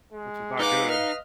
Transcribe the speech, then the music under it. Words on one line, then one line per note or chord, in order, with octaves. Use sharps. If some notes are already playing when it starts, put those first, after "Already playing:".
which is not good,
G#3
D#4 B4 F5 F#5 D6
D#5 F6